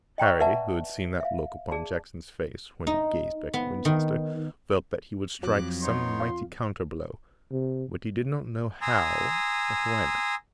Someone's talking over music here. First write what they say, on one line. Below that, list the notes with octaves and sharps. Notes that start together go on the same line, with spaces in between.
Harry who had seen that look upon Jackson's face, when he gazed back at Winchester, felt that he would strike some mighty counter-blow, but he did not know how or when.
D#5 G5 A#5 C#6
B4 D5 E5 F#5 A5
E5 F5
G#4 D5 A5
D#4
B3
D#3
F2 F#3 D6 F#6
B3 D#4 C#5 C6
F4
C3
G#5 A#5 C6 D#6 E6